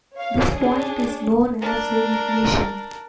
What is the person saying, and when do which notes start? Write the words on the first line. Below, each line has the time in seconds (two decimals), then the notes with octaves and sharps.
This point is known as "ignition".
0.14 C#5 F5
0.48 D4 G#4 C#5
1.61 D4 A#4